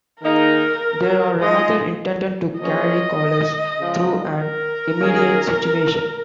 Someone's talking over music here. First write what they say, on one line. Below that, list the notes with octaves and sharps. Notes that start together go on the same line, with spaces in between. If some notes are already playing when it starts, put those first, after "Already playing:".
They are rather intended to carry callers through an immediate situation.
D#3 A#3 D#4 G#4 A#4
G#2 G#3 F4 G#4 D#5
F3 A#3 C#4 F4 G#4 D#5
C#3 F3 G#3
A#4
D#3 A#3 C#4 G#4